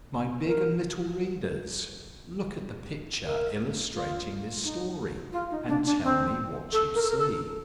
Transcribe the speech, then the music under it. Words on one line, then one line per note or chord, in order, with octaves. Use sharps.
MY big and little readers, look at the picture illustrating this story and tell me what you see.
A#4
A#4
F4
D#4
F4
D#4
D4
D4
C4
A4
A#4
A4
A#4
A4